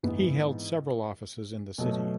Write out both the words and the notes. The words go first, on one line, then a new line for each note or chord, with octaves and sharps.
He held several offices in the city.
G#2 E3 B3
B2 F#3 A3